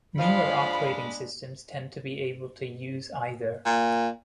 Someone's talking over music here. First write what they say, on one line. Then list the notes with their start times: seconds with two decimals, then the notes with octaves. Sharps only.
Newer operating systems tend to be able to use either.
0.19 F3 G#3 D4 F5 B5
3.65 A#2